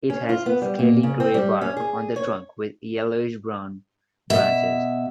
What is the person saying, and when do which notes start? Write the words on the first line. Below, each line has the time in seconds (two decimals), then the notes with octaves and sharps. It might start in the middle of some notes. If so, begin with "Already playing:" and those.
It has scaly grey bark on the trunk with yellowish-brown branches.
0.10 C#4
0.29 F4
0.46 B3
0.62 G3
0.79 A#2
1.03 C#3
1.20 C4
1.34 G3
1.61 C#4
1.77 G#4
2.16 C#5
4.30 B2 E5